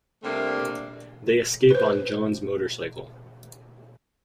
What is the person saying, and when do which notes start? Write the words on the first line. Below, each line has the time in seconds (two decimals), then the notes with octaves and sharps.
They escape on John's motorcycle.
0.23 C3 G3 A3 A#3 D4
1.71 B4 C5